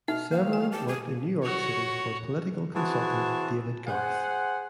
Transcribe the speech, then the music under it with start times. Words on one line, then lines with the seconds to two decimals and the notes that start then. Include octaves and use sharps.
Severin worked in New York City for political consultant David Garth.
0.08 B2 D#4 E5 F6
0.31 D#3 A#3 F5
0.53 G#5
0.72 G4 A5
0.88 G#4
1.42 F#4 C#5
2.75 E3 C4 F#4 G#4 A5
3.87 G#4 C5 F#5